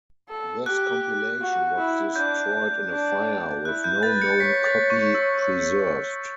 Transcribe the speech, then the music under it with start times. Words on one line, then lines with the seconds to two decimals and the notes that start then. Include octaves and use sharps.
This compilation was destroyed in a fire, with no known copy preserved.
0.29 A4
0.66 G4 F#6
1.41 F#4
1.78 E4
2.15 D4 G6
2.90 D4
3.65 E4 F#6
3.84 G6
4.02 B4 A6
4.22 A6 C#7
4.40 C#5 B6
4.65 A6
4.90 C#6
5.15 E6